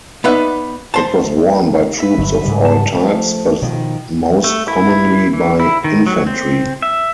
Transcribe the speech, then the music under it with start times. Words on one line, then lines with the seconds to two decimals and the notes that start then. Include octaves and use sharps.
It was worn by troops of all types, but most commonly by infantry.
0.24 B3 D#4 B4 D5 E5 F#5
0.94 C5 A5
2.00 B4 E5
2.18 G1 F#3
2.43 G#2 C#3 G3
2.65 A5
2.95 F3 A3
3.62 B2 D#3 F3
4.44 A3
4.68 E4
5.33 E3
5.60 E4
5.84 D#3
6.07 F#3
6.27 C4
6.82 E5